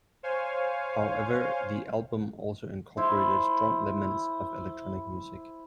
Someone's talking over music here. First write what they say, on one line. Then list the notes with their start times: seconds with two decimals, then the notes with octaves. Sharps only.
However, the album also incorporated strong elements of electronic music.
0.23 C5 C#5 F5 G#5
2.97 E4 C5